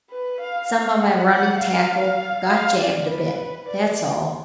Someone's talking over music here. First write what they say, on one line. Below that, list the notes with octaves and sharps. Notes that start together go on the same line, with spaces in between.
Some of my running tackle got jammed a bit, that's all.
B4
F5
F5
F#5
F#5
F5
F5
D5
B4
D5